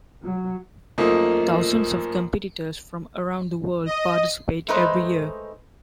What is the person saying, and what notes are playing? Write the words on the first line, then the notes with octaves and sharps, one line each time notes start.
Thousands of competitors from around the world participate every year.
F#3
F#2 F3 A3 A#3 D#4
D#5
G#3 A3 D#4 B4 C5